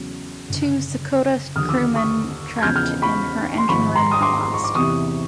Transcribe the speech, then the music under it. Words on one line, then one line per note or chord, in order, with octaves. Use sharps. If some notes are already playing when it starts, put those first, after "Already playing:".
Two "Secota" crewmen trapped in her engine room were lost.
Already playing: E2 C#3 F#3
F#1 F#2 D3
D#2 D3 F3 D#6 F6
D6 E6
C#6 D#6
G#6
E2 C#3 F3 F6 G6
F6 G6
B5 C#6
C6
G#1 G#2 F3 B5 C#6
A#5 C6
D#6
C6 D6
C6
C#6
D6
E2 C3 E3 C#6 D#6